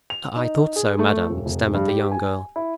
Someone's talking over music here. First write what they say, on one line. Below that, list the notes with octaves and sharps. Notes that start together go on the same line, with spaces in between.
"I thought so, madame," stammered the young girl.
F7
D#4
G#4
A3
E1
F1
G2
G4
G#5
E4